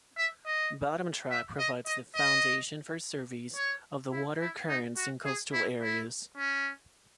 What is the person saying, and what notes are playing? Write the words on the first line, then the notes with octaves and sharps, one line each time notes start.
Bottom track provides the foundation for surveys of the water currents in coastal areas.
E5
D#5
E5
D#5
D#5
D#5
C#5
E4
E4
D#4
F#4
G#4
E4
E4
C#4